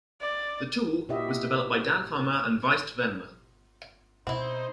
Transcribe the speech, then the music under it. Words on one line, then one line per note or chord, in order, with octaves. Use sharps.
The tool was developed by Dan Farmer and Wietse Venema.
D5
A#2 E4 F#4 G4 D#5 E5
B2 C4 D#4 E4 C5